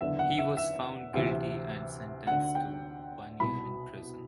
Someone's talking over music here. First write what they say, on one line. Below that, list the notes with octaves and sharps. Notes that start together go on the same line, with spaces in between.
He was found guilty and sentenced to one year in prison.
F#1 E2 D3 E5
F#5
E5
E5
D2 C3 E3
D2 D3 F#5
G5
C2 B2 B5